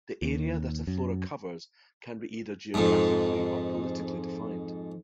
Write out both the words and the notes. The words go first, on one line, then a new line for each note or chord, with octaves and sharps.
The area that a Flora covers can be either geographically or politically defined.
D#2
F#2
F2 G#2